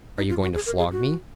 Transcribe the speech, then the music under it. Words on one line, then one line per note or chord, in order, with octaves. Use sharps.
Are you going to flog me?
D#4
F4
F#4
G#4
A#4
G#4
F#4